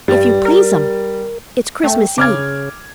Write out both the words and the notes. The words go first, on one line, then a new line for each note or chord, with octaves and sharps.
"If you please'm, it's Christmas Eve."
G2 G3
A#4
A3 G5
C#3 D6 F6 G#6